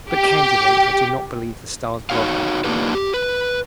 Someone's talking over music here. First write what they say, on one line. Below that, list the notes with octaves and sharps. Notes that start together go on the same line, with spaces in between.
But, candidly, I do not believe the stars bother.
G4
D#4 F#4 C#5 F5
A#3 D4 D#4 F4 G4 B4
G4
B4